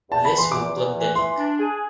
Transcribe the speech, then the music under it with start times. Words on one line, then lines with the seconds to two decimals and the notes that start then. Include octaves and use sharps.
This will plug the leak.
0.09 E2 A5
0.25 B5
0.31 E3
0.38 C6
0.52 E2 D6
0.73 E2
0.95 E3
1.15 E3 C6
1.37 D4
1.58 G#4